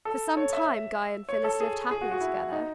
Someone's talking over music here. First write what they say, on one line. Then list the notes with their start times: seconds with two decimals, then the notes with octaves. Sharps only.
For some time Guy and Phyllis lived happily together.
0.05 A4
0.37 C#5
0.53 E5
1.29 C#5
1.44 A4
1.60 G#4
1.91 G#4
2.01 F#4
2.11 F#4
2.21 E4
2.52 D#4